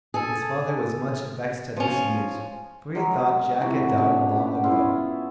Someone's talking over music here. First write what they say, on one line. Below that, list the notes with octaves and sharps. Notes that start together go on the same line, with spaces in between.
His father was much vexed at this news, for he thought Jack had died long ago.
G#4 A4
F3 C#4
F#3 G#3 G4 A#4
C3 E3 F3 F#4
B2 C#4 D4 G4
B3 G4
C#4 E4 F4 G#4